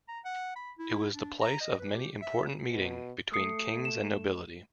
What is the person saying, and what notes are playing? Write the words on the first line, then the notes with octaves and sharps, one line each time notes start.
It was the place of many important meeting between kings and nobility.
A#5
F#5
B5
E4
D4
A#5
D#5
B4
G4
E5
B2
A3 D#6 C7 C#7
E7